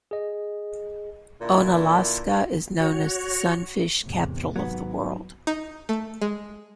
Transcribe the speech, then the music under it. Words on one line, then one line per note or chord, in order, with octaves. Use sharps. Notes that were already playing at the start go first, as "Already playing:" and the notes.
Onalaska is known as The Sunfish Capital of the World.
G#4 D#5
A#2 D3 E4
F#4 C#5
E2 A2 C3
G#1 G#2 F#3 B3
D#4
A3
G#3